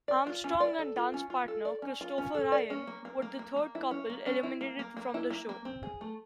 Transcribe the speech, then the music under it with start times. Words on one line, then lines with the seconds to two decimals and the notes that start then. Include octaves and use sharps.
Armstrong and dance partner, Christopher Ryan, were the third couple eliminated from the show.
0.08 D5
0.27 F4
0.44 C#4
0.60 D5
0.79 A4
0.96 F4
1.14 C#4
1.30 F4
1.48 A4
1.65 D5
1.82 C#4
2.01 F4
2.18 C#4
2.35 A4
2.52 D5
2.70 C#4
2.87 A#3
3.05 A#3
3.22 A#3
3.39 A#3
3.56 A#3
3.75 E4
3.91 C#4
4.10 A#3
4.26 C#4
4.43 E4
4.61 A#3
4.79 A#3
4.97 A#3
5.14 E4
5.30 A#3
5.49 A#3
5.65 C4
5.83 G#4
6.01 A3